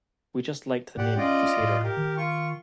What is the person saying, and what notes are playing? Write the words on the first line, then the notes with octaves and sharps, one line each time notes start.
We just liked the name "Crusader".
A2 G4 D5 F#5
C#4 F4 D5 D#5
A2
G4 A#4
D#3
F4 C#6